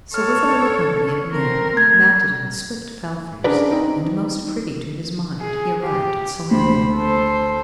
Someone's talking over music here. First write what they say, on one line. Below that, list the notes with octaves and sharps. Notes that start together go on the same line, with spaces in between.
So with a little company of men, mounted on swift palfreys, and most privy to his mind, he arrived at Salerno.
A4 C#5 F6
C4 A#4
A3 G#6
C#4 D4 G#4 A#4 B4 D5
C4 D#4 G5
G#4
G4
D2 C5 B5
A4 C5